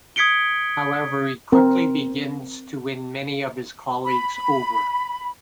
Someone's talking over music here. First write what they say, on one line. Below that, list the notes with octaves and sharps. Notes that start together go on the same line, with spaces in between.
However, he quickly begins to win many of his colleagues over.
D#6 G#6 B6 C#7 D7 G7
C4 A#4
B5